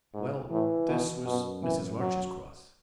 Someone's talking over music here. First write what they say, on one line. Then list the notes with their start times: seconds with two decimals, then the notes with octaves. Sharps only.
Well, this was Mrs. Larch's cross.
0.14 G#2
0.51 A2 E3
0.88 B2
1.26 F#2 B2
1.63 E3
2.00 F#3